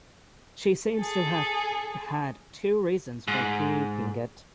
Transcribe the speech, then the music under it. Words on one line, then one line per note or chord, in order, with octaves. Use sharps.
She seems to have had two reasons for keeping it.
G#4 A4
G#2